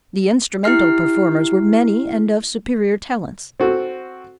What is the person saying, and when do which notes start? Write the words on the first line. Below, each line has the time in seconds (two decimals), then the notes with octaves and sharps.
The instrumental performers were many and of superior talents.
0.64 E4 G4 F6 C7
3.60 C4 F#4 A4